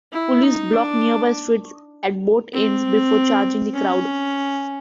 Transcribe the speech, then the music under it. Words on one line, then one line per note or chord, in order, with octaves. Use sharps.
Police blocked nearby streets at both ends before charging the crowd.
E4
D#4
D4
C4
C#4